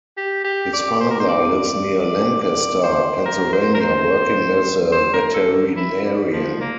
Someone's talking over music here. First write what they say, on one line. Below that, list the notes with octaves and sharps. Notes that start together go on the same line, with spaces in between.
His father lives near Lancaster, Pennsylvania working as a veterinarian.
G4
G4
D5
C5
A#4
C5
D5
D5
D5
D5
C5
A#4
C5
A#4
C5
C5
A#4
A4
E4
G3
F3
A#3